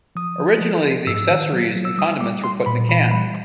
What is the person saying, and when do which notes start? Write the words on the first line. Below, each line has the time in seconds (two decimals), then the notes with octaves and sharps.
Originally, the accessories and condiments were put in a can.
0.15 F3 D#6
0.38 F3
0.61 F3
0.85 F3
1.07 G#2 E6
1.30 D#3
1.52 F#3
1.75 F#3
1.85 E6
1.98 G3 D#6
2.21 G3 D6
2.43 G3 C6
2.66 A#2 B5
2.89 E3 B5
3.11 G3 B5